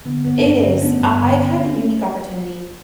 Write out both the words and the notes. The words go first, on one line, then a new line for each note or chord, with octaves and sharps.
It is, I I've had the unique opportunity
D3 B3
G2 B3
D4
G2 C#4
D3 C#4
A3 B3 D4
G2
D3
D3
C#4